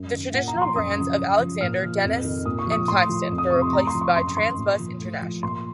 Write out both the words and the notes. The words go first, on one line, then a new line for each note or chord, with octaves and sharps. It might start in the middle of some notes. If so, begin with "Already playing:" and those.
The traditional brands of Alexander, Dennis and Plaxton were replaced by TransBus International.
Already playing: F#2
D#3
A#2 F#5
A#5
F3
C6
F#2 D#6
C#3 F3
F#2
F3
A#2 F6
F3
F2
D#3
A#2 D#6
C#6
F3 D#6
A2 C6
F3
F2
D#6
C3 F3 C#6
C6
A2 A#5
C6
F3
C#6
F#2 C6
D#3 C6
A#2
F3
A2
F3
A#2 C6